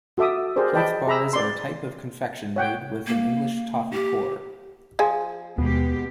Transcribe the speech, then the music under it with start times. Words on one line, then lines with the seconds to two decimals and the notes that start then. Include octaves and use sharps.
Heath bars are a type of confection made with an English toffee core.
0.18 F#4 A4 E5 D6 D#6
0.56 G4 G#4 A#4 C5 D5
0.73 B4 D5 D#5 G5 A5 B5
1.07 G#4 A#5 B5 E6
1.33 D5 C6
2.56 C#5 F#5 G5
3.07 A#3
3.93 G4
4.99 F3 G#4 G#5
5.58 D#2 B2 G#3 B3 G4